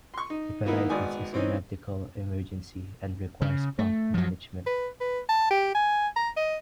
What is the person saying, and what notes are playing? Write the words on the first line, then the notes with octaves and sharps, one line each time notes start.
Typhlitis is a medical emergency and requires prompt management.
C6 C#6
D#4
D#3 A#3 B3 D#4 E4
G#1 B3 D5 G#5 D#6
E3 C4 C#4 D#4
C#3
A3
F3 F#3
B4
B4
A5
G4
G#5
A#5
D#5